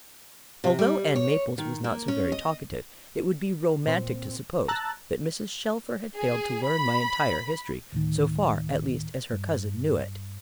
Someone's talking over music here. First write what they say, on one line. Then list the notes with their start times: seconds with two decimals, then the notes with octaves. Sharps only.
Although Ann Maples was not so very talkative, it would be romantic to suppose that Mrs. Shelfer had failed to learn my entire history, so far at least as her cousin knew it.
0.64 C3
0.79 G3
1.16 C#5
1.58 D#3
1.84 A#3
2.08 C#4
2.32 D#5
3.87 A#2 C4
4.68 A5 A#5 E6 F#6 A6
6.17 G#4
6.66 B5
7.93 D2 A2 D#3
9.33 G2